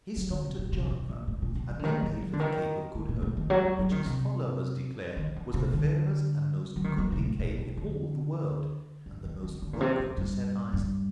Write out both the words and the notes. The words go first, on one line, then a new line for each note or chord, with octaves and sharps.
He stopped at Java, and then made for the Cape of Good Hope--which his followers declared was the fairest and most goodly cape in all the world, and the most welcome to set eyes on.
F#3
D3
C3
A#2
C3
C3
A#2
A2
A#2
C3
D#3
D3
D#3
D#3
F#3
D3
D#3
D#3
A#2
A2
D#3
F#3
F#3
F#3
D#3
C3
D#3
D3
C3
D3
F#3
D#3
F#3
C3
A2
A#2
C3
D3
D3
D#3
D#3
D3
A#2
C3
A2
G2
G2